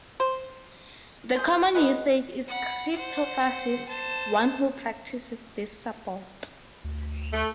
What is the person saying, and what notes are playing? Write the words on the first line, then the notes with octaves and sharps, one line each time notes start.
The common usage is "crypto-fascist", one who practices this support.
C5
G#4 C5
G#3 G#4 B4 F#5
F#5 B5
C5 F#5
C5 A5
D2
A3